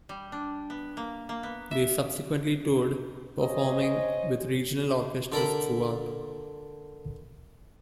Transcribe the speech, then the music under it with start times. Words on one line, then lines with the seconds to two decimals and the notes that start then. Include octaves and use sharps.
They subsequently toured, performing with regional orchestras throughout.
0.09 G3
0.32 D4
0.70 B3
0.97 A#3
1.29 A#3
1.43 B3
1.71 E5
3.39 G#4 C5 C#5 D#5
5.32 D3 A4 A#4 B5